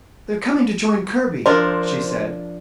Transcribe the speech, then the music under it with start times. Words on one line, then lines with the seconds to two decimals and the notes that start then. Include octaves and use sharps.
"They're coming to join Kirby," she said.
1.46 F3 D4 A#4 C5